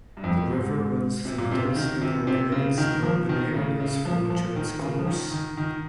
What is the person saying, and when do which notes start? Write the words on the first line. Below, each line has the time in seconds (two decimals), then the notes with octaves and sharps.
The river runs through densely populated suburban areas for much of its course.
0.17 G2
0.24 F2
0.50 G#2
1.25 C3
1.38 A#2
1.51 C3
1.64 C#3
1.76 D#3
2.01 C3
2.27 C3
2.52 C#3
2.78 D#3
3.03 F3
3.29 D#3
3.54 C#3
3.80 C#3
4.05 F3
4.30 F3
4.56 D#3
4.81 C#3
4.99 F3
5.07 D#3
5.31 D#3
5.57 D#3